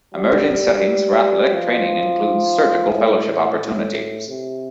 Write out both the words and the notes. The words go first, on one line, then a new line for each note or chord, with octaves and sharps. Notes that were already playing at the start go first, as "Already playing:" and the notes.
Emerging settings for athletic training include surgical fellowship opportunities.
G3
F3
A2
A2
C3